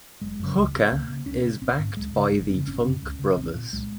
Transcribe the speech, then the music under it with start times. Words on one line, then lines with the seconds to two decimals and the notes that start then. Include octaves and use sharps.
Hooker is backed by the Funk Brothers.
0.21 F#1 G#3
0.39 F#2 C#3
0.57 C#2
0.74 C3
0.91 C#2 A#3
1.09 C#3
1.26 C#2 C#4
1.45 C3
1.62 A#1 C4
1.79 G#2
1.97 C#2 G#3
2.15 C#3
2.32 G#1 G#3
2.49 F#2 C4
2.54 C#3
2.67 G#1 C#4
2.84 F#2 C#3
3.03 C#2
3.19 C#3
3.37 A#1 C4
3.55 A#2
3.72 C2 G#3